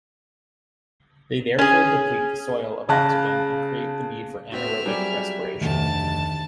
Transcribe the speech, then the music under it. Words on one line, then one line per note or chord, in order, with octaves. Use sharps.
They therefore deplete the soil of oxygen and create the need for anaerobic respiration.
C#4 G#4
C#3 F5 A5 F#6 A#6
B3 C4 F#4 E5 F6
F#3 G3 G4 G#4 D5
F1 D2 D#3 A5